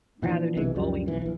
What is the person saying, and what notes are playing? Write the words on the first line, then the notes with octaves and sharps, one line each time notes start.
rather than going
A#2 E3 F3 D4
B1 C3 E3 G#3
C#2 F#2 F3 G3
B1 E3
A#1 E3